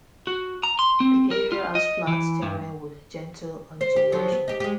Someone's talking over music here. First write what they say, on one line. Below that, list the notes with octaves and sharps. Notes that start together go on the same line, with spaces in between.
The area has flat terrain with gentle undulation.
F#4
A#5
C6
C4
A#4
F4
D#5
E3
G2
C5
G4
F3 F#3
B3
D#4 G4
G#3 G4